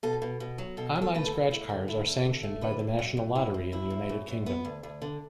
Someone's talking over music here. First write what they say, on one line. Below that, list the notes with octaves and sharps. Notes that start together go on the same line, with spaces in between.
Online scratch cards are sanctioned by the National Lottery in the United Kingdom.
B2 A4
B2
B2
F#3
B2 A4
F#3
A4
A3 B4
A4
B2
A3 E4
D3
D3 E4
D2
D3
A3
D3 B4
D2
F#2 F#4
F#2
F#2 E4
F#2
F#2 E4
F#2
F#2
F#2
B3
D2
D2
D3